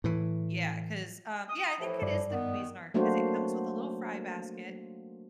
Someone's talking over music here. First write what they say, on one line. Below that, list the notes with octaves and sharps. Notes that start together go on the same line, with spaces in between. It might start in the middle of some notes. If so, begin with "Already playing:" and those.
Yeah, 'cause, um, yeah, I think it is the Cuisinart 'cause it comes with a little fry basket
A2 E3
D#6
A2 E3 F3
G2 D5
D#3 B3
F#3 A3 A#3 D4 F#4 C5